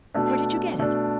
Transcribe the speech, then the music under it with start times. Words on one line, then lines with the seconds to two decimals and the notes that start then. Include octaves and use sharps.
Where did you get it?
0.14 B2 A3 D4
0.79 B2 A3 D4